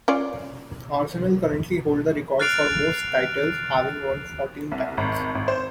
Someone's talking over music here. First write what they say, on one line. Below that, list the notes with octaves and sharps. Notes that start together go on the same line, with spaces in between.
Arsenal currently hold the record for most titles, having won fourteen times.
C#4 F4 D5
F6 F#6 A6 C7 D7 F7
C2
G#1
G#1
C5